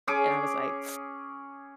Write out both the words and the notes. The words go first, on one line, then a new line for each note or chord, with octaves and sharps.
and I was, like,
C#4 G#4 C#5 D6